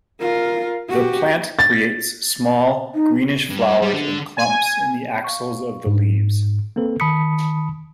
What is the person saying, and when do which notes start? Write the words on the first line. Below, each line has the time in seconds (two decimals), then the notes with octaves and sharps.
The plant creates small, greenish flowers in clumps in the axils of the leaves.
0.21 F4 A#4
0.90 F#4 G4
1.59 A6
2.95 D#4
3.50 G2
3.82 G3
3.94 D3
4.37 G#5
5.24 F5 C#6
5.86 G#2
6.76 A#3 C4 A4 B4
7.00 D#3 A5 B5 D#6 B6 C#7